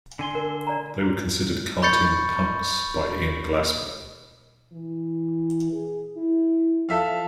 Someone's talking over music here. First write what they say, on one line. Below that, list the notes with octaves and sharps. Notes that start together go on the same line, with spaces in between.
They were considered "cartoon punks" by Ian Glasper.
D3 G#5 C6
A#4
D5 A#5
B5 C#6 G6 A6 C#7
E3
G#4
E4
F3 A4 E5 F5